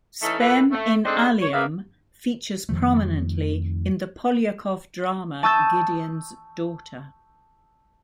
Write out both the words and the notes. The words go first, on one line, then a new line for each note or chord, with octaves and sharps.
"Spem in alium" features prominently in the Poliakoff drama "Gideon's Daughter".
E3 A3 C#4 D#4 A4
A#2 E3 A4 B4
A3
C4 D4 D#4 G#4 A4 C5
C#5
G#3 A#3 B3 B4 E5 F5
F2 D#3 F3 A3
A5 C#6 D#6 E6 G6 A6